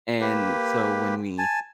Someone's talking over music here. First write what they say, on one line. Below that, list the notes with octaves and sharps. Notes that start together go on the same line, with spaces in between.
And so, when we
A#3 G4 B4
G#5 A5